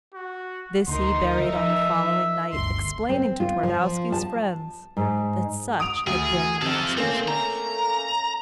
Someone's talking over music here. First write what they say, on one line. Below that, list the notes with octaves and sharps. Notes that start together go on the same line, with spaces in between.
This he buried on the following night, explaining to Twardowski's friends that such had been the master's wish.
F#4
D2 D#4 A#4 C6
F3 E5
G1 D2 C6
C4
F4
F3
A5
G#2
D#6 D7 F7
D2 G#4
C3 F3 A4
A3 A#3 C4 C#4
A#5